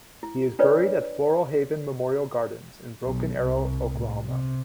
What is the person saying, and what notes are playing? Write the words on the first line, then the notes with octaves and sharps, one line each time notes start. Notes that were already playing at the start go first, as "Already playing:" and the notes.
He is buried at Floral Haven Memorial Gardens in Broken Arrow, Oklahoma.
E4
D4 F4 B4 C#5 D5
B1
C2
A2
C3